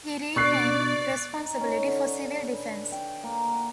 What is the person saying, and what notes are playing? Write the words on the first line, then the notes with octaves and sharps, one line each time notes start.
He retained responsibility for civil defence.
B2 D4 D5 C#6 F#6 C7
D#4
C#4
D3
D4
B4
G5
A#3
F#5